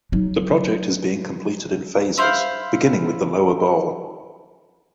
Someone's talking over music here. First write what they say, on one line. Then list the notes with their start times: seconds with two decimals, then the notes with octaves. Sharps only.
The project is being completed in phases, beginning with the lower bowl.
0.12 F#3 D#4
2.18 E4 C5 F5